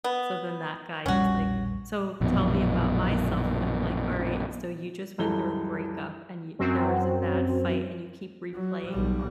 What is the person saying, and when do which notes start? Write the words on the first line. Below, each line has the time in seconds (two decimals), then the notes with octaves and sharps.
so then that guy, he's like, "So, tell me about myself," and I'm like, "Alright, so, you just went through a breakup and yo there was a bad fight, and you keep replaying
0.04 B3
1.06 E1 A#1 G3 C#4 F#4
2.21 A#1 F#2 B2
5.19 C#2 F#2 E3 G3 A4 G7
6.59 F#2 F#3 C4
8.54 F#3
8.88 B1 G3